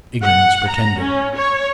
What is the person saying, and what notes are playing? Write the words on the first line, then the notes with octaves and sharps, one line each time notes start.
Ignorance pretended.
F#5
A#5
C#4
C#5